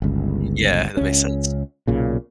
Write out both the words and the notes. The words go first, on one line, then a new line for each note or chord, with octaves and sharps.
Yeah, that makes sense.
G1 C#2
C#2 C#4
B1 A#2 C#3